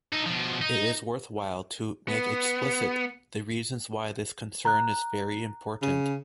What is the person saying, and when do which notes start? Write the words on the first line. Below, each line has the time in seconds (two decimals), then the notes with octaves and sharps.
It is worthwhile to make explicit the reasons why this concern is very important.
0.12 D#4 A4
0.26 B2 F3
0.61 D#4
2.08 B3
4.65 A#5 F#6
5.82 C#3